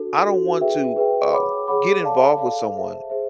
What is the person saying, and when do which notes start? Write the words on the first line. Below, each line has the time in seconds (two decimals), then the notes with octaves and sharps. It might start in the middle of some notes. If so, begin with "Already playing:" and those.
I don't want to, um, get involved with someone
Already playing: D4 F#4 A4
0.26 D4 F#4 A4
0.61 G#4 B4 E5 G5
0.96 G#4 B4 E5 G5
1.31 G#4 C#5 F#5 B5 D6
1.67 G#4 C#5 F#5 B5 D6
2.03 A4 D5 F5 A5
2.39 A4 D5 F5 A5
2.74 G#4 C5 E5
3.10 G#4 C5 E5